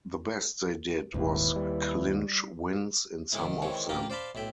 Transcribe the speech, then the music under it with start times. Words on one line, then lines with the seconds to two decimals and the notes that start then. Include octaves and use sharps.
The best they did was clinch wins in some of them.
1.14 D#1 G#1 D#2 E4 B4
1.56 G3
3.32 A2 D#3 E3 G#3 B3 E4
3.45 C2 D#3
3.62 D#3 E3 G#3 C4 C#5
3.89 A1 A#3 F4 G4 G5 A#5
4.10 C5 D5 F5 A5 B5 C6
4.35 B1 A2 E5 G5